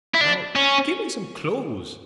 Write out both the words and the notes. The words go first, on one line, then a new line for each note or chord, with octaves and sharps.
Now, get me some clothes.
E4
D4
C#4